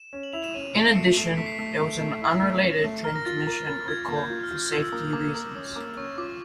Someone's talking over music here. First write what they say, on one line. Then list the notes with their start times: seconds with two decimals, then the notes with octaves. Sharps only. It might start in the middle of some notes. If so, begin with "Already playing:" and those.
In addition, there was an unrelated transmission recall for safety reasons.
Already playing: E7
0.13 C#4
0.23 F#7
0.33 E4 F7
0.44 E7
0.54 C#4 D#7
0.74 A3 D7
0.91 C7
0.95 A3 C#7
1.17 A3 C7
1.37 A3 B6
1.46 C7
1.54 A3 B6
1.79 A3
2.00 A3
2.22 E4
2.42 A3
2.63 C#4
2.84 A3
3.04 A#4 F6
3.15 A#6
3.25 F4 A6
3.46 A#4 A#6
3.67 A#4 A6
3.88 F4 G#6
4.08 A#3
4.16 G6
4.30 F4
4.43 F6
4.51 F4
4.71 F4 E6
4.82 E6
4.92 A#3 D#6
5.13 A#3 D6
5.35 A#4 E6
5.55 C#4 D#6
5.75 A#3 D6
5.97 C#4 C#6
6.18 F4 D6